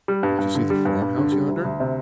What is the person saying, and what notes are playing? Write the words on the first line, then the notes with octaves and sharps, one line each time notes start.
Don't you see the farm-house yonder?
G3
G2
G2
D3
G3
G2
G2
D3
G3
D2
D2
C3